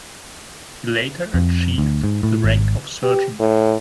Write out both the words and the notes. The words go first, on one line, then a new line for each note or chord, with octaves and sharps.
He later achieved the rank of sergeant.
F2
D2
G#2
A2
G#1
G4
A2